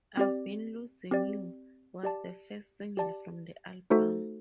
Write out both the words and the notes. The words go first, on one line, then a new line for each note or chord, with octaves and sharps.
"I've Been Losing You" was the first single from the album.
C4 G4 D5
C4 G4 D5
G4 D5 A5
G4 D5 A5
A3 D#4 F#4 A4 C5